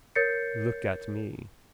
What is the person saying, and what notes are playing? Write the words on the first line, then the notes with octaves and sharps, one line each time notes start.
Look at me.
A#4 C#5 G6 A6 C7 C#7